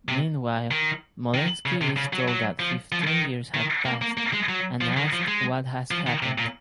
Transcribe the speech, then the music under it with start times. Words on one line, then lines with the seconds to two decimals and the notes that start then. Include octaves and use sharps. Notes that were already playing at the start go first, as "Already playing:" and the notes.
Meanwhile, Molenski is told that fifteen years have passed, and asked what has happened.
0.08 C3
0.71 D#3
1.34 D#3
1.66 C#3
1.81 C3
1.97 C#3
2.13 F#3
2.28 F#3
2.59 F3
2.92 F3
3.07 D#3
3.54 D#3
3.86 A#3
4.02 A#3
4.17 A#3
4.33 G#3
4.49 F#3
4.81 F3
4.97 D#3
5.13 F3
5.28 G#3
5.91 F3
6.07 D#3
6.23 C3
6.38 A#2